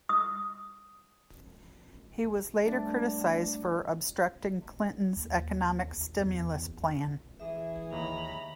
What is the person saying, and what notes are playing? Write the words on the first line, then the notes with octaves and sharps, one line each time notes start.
He was later criticized for obstructing Clinton's economic stimulus plan.
D#6
G3 A3 D4 D5
D#2
E2
E3 G#4 E5
D#2 A#5 B5